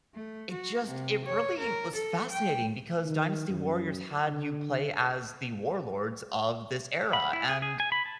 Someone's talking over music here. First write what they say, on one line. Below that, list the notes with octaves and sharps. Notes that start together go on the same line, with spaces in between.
it just it really was fascinating because Dynasty Warriors had you play as the warlords of this era, and
A3
F#4
C3
C#5
A#4
A4
G5
D#3
F#2
D3
B5
E4
G#4
G#4
G#5
B5
A5